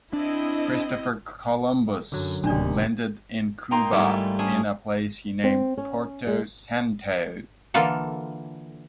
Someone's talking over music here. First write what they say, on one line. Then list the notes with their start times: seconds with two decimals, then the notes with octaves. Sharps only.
Christopher Columbus landed in Cuba in a place he named Porto Santo.
0.13 C4 D4 E4 D#5
2.12 F#2 D3 F#3
2.44 D1 D#2 C3 C#4 D4 D5
3.71 A#3 D#4 G5 A#5 C6
3.93 G#2 G3 A3 E4 F4
4.39 C#4 D4 G#4
5.44 C4
5.77 C#4
6.27 G#3
7.74 D3 E3 A#3 F4 A4